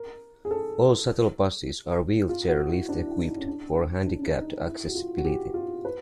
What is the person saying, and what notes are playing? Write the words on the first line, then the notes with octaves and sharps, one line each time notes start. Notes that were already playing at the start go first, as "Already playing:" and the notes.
All shuttle buses are wheelchair lift-equipped for handicapped accessibility.
Already playing: A#4
G#4
A4
F4
F#4
E4
D4
E4
D#4
C#4
D4
D4
C#4
D4
D#4
E4
F#4
F4
F#4
G4
F4
B4